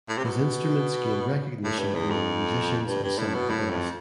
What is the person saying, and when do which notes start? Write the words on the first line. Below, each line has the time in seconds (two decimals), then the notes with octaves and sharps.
His instruments gained recognition among musicians as some of the best.
0.09 A2
0.18 C3
0.24 B2
1.64 A2
1.79 G2
1.95 E2
2.10 F2
2.87 G2
3.03 G2
3.18 A2
3.34 B2
3.49 A2
3.70 F2